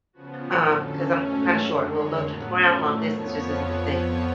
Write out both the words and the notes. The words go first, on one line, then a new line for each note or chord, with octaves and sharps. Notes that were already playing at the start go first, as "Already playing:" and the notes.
um, 'cause I'm I'm kinda short, little low to the ground, long distance just isn't my thing.
C#3 F3 B3 F#4
A2 F3 B3 F#4
F2 D3 F#3 C#4 A4
B2 A3 C#4
G#2 F#3 A3 C#4 B4
F#2 D3 G#3
F2 D3 G#3 C#5
A2 F#3 B3
F#2 F3 A3 C#4
A2 F#3 A3 D5
F2 F3 B3 C#5